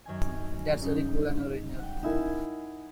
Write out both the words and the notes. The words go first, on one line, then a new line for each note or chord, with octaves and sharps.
That's really cool and original.
F#2 D#3 G#5
G2 C#3 D#4 G6
F#5 G5
D#4 E4 A#4 G#5 E7